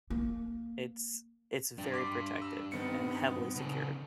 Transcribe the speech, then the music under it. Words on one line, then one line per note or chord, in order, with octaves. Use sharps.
It's it's very protected and heavily secured.
A#3
G2 D4
C6 D6 B6
E6
D#3 B3 C4 C#7
C#3 A4